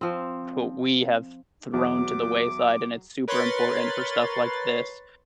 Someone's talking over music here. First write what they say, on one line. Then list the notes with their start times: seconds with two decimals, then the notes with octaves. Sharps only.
wh we have thrown to the wayside, and it's super important for stuff like this.
0.01 F3 C4
1.73 E2 F#3 D6
3.28 A#4 B4 C#5 B5 C6 A6